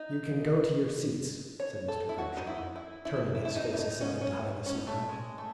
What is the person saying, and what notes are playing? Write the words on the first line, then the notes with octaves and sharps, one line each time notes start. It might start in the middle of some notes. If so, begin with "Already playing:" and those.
"You can go to your seats," said Mr. Grimshaw, turning his face aside to hide a smile.
Already playing: D#4
C#5
A4
E4
F#4
D#4
E4
E4
E4
E4
E4
D#4
E4
D#4
C#4
C#4
C#4
A3
G#3
A3